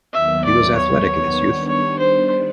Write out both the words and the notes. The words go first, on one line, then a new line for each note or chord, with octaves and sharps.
He was athletic in his youth.
D#2 D#3 F#3 B3 E5
D5
C#5
D#3 G3 B3 D4
C#5
C5